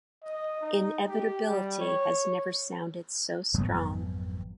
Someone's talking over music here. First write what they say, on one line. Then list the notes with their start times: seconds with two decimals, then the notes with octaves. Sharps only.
Inevitability has never sounded so strong.
0.23 D#5
0.62 D#4
1.08 G4
1.49 G3
1.80 C#5
3.54 G#1 F2 F#3 B3